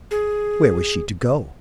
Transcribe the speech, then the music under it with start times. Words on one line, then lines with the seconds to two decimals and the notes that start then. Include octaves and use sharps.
Where was she to go?
0.11 G#4